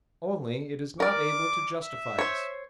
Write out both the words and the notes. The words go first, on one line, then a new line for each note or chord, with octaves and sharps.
Only it is not able to justify us.
A#4 D5 D6
E5
C5 C#5